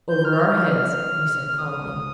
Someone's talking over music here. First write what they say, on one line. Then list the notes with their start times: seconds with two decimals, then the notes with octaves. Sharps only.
"Over our heads," he said calmly.
0.09 G6
0.25 F6
0.33 G6
0.40 F6
1.59 D#6